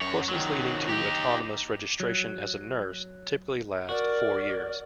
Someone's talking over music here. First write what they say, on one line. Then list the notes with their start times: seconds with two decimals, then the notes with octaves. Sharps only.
Courses leading to autonomous registration as a nurse typically last four years.
0.01 F#2 C#5
0.29 D#3 F#3
0.89 D#4 G4
2.00 F#3
3.89 F#4 A#4 D5